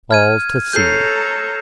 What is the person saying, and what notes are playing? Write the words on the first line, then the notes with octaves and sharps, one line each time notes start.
All to see.
F6 G#6 D#7
A4 C#5 A#5 G6 C7